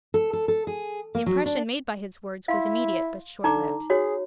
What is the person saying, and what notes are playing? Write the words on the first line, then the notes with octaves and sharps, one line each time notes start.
The impression made by his words was immediate but shortlived.
A4
A4
A4
G#4
A#3
F#3
D4
E4 F5 C6
D3 D#4 A#5 D6
F#4 G#4 C#5